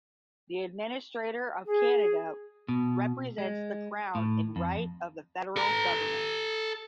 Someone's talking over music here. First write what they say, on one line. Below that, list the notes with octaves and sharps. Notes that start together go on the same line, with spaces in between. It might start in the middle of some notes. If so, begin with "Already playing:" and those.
The administrator of Canada represents the Crown in right of the federal government.
G#4
B2
G#3
A2
F2
A4 A#5